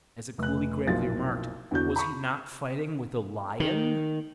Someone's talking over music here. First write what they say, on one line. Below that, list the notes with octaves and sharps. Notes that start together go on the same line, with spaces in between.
As a coolie gravely remarked, "Was he not fighting with a lion?"
F1 F#6
F#1 B1 F3 F4 A6
E2 D3 F#4 G6
B5 C#6
D#3